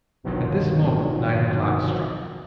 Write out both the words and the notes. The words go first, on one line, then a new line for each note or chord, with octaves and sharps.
At this moment nine o'clock struck.
G1 C2 B2 D#3 F3 F#3